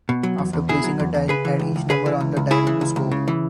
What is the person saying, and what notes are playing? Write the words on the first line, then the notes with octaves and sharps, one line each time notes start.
After placing a tile, add each number on the tile to score.
B2
F#3
E2
E2
B2 E4 G#4
F#3
E2
E2
C#3 G#4 B4
E3
C#2
C#2
C#3 G#4 B4
E3
C#2
C#2
C#3 E4 G#4
E3
C#2
C#2
C#3
E3